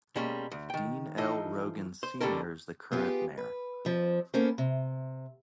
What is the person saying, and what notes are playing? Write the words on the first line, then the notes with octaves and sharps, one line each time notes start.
Dean L Rogan Senior is the current mayor.
B2 G3 G#3 A#3 C#4
D2
D#3 G5
E3 F3 D#4 A4 D#5
C5
D#2 D3 G3 C#4 A4 A#4
B3 F4 G4 G#4
B4
F2 F3
A#3 B3 C#4 A4 A#4 C5
C3